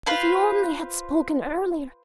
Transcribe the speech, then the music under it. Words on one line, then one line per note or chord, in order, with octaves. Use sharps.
If he only had spoken earlier!
F4 B4 C5